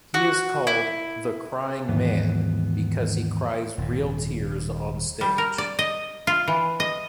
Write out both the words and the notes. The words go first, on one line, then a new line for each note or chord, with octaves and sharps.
He is called "The Crying Man" because he cries real tears on stage.
F#4
E4
D#2 G#2 E3 B3
D#1 G#2
G3
A#4
D5
D#5
F4
E3
D#5